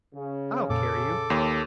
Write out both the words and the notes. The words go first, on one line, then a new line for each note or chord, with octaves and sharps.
"I'll carry you."
C#3
F2 A#2 A4 D6
D#2 C#5 C6 D#6